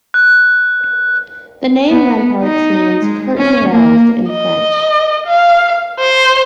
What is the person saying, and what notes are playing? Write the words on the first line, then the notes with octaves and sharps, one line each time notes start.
The name "Remparts" means curtain walls in French.
F#6
B3
D#4
G#3
C#4
A#3
D#5
F5
C5